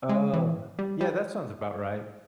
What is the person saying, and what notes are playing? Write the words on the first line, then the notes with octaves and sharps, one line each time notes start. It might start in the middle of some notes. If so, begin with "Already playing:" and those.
Oh, yeah, that sounds about right.
G#3
E3
G3
G3